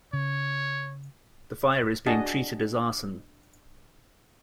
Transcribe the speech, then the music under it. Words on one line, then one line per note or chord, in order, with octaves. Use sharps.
The fire is being treated as arson.
C#3 C#5
D4 F#4 G#4 D#5 A5